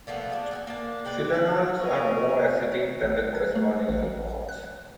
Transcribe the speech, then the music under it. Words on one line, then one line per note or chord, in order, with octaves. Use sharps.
Silanols are more acidic than the corresponding alcohols.
A#2 F3 A3 B3
D4 G#4
F#4 A4 G#5
A#3 D4 A5
G#3 C4 B4 D5
B3
B3 A#4 G#5 C#6
C#5
G#1
G#6
A3
A1
F#6